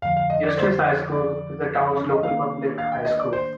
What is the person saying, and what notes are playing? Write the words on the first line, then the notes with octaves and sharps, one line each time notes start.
Eustis High School is the town's local public high school.
F2 D3 F3 F5
F5
D#5
D5
C5
D5
D#5
D#3 A#3 D4 F5
F5
G5
D#5
D5
C5